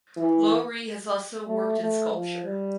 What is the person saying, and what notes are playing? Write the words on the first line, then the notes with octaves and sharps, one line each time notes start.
Lowrey has also worked in sculpture.
E3
A3
A3
F3
G3